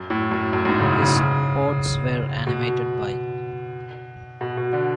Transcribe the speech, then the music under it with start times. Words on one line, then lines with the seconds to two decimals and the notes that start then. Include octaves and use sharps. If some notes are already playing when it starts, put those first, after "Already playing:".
His odes were animated by...
Already playing: F#2
0.10 A2
0.31 F#2
0.53 F#2
0.65 F#2
0.69 G#2
0.80 C#3
0.86 B2
1.02 C#3
2.47 B2
4.41 B2
4.57 B2
4.73 D3